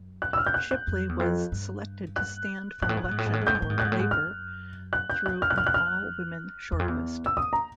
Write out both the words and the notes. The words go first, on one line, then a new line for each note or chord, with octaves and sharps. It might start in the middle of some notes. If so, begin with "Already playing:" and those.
Shipley was selected to stand for election for Labour through an all-women shortlist.
Already playing: F#2
F#6
E6
F6
G6
F#6
F#6
F2
E2
F2
G2
F#6
G#2 F#6
A2
G#2
A2
G#2
A2
G#2
A2
G#2
A2 G6
G#2
A2
G#2
A2 F#6
G#2
A2
G#2
F#2 F6
F#6
G6
F#6
F2 F6
F#6
F6
F#6
F6
E2
F2
E2
E6
E2 D#6
A#5